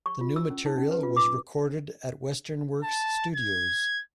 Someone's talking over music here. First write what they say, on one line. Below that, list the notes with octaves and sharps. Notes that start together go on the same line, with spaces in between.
The new material was recorded at Western Works studios.
C#6
F4
E6
C#4
D#4
C#4
B4
F4
D6
A5
G#6